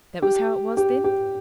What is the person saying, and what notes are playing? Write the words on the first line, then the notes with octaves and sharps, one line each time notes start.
'That was how it was, then?'
G4
G4
G4